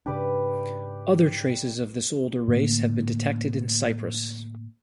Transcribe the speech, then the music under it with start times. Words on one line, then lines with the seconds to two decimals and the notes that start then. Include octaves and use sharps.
Other traces of this older race have been detected in Cyprus.
0.06 G#2 C#3 D4 G4 B4 D5
2.48 A2 D3 A#3